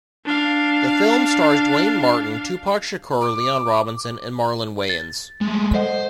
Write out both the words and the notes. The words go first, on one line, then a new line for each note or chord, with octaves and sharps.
The film stars Duane Martin, Tupac Shakur, Leon Robinson and Marlon Wayans.
D4 F5
D6
A6
G#3 A3
A4 C5 D#5 F#5